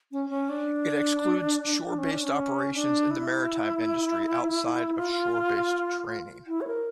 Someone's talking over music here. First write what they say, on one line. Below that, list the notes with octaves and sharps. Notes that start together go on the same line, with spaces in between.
It excludes shore based operations in the maritime industry outside of shore based training.
C#4
C#4
D4
C#4
D4
C#4
D4
E4
F4
E4
C#5
A#4